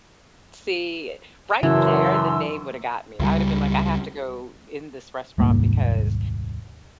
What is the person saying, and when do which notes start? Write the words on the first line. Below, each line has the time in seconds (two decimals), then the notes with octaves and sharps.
See, right there, the name woulda got me. I woulda been like, I have to go in this restaurant because
1.63 F#2 C#3 E3 A5 C6 E6
3.20 C#2 G3
5.38 D#1 C2 G#2 A#3